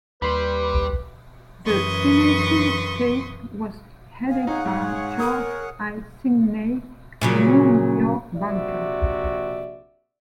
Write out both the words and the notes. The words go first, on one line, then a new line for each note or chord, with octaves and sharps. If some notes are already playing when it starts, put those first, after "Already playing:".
The Seney Syndicate was headed by George I. Seney, a New York banker.
D#2 G3 B4 B5 C6
F#2 E3 B4 C6 C#6 D#6
G#4 F5
D#4 G#4 C#5 F#5
G#2
A#4 D#6
A#2 C#3 F#3
A#1 C3 F#4 D5 E5